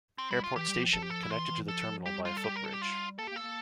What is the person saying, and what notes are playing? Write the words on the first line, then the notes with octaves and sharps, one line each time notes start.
Airport Station, connected to the terminal by a footbridge.
C4
G3 E4
F4
E3 G4
G3
F3
F3 A4
G4
A4
E4
E3 F4
E3
F3 A4
G3 G4
F4
A4
G4
A#4
A4
G4
F4
A#3 A4
G4
A#3
A4
A#3